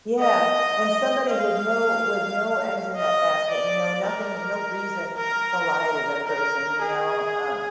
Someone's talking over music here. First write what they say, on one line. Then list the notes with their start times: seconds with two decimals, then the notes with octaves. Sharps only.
Yeah, and somebody with no with no eggs in that basket, you know, nothing no reason to lie to the person, you know. Um
0.19 D#5
1.30 F5
2.96 D#5
3.51 D5
4.06 A#4
5.17 A#4
6.27 A#4
6.83 G#4